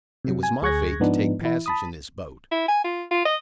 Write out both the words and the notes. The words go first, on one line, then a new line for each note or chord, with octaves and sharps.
It was my fate to take passage in this boat.
C3 F#3
G#5
D2 G#4 C#6 F#6 G#6 A#6
G#2 F3 B3 D4 D#4
E3 E4
A5 B5 D#6
E4
G#5
F4
F4
D#5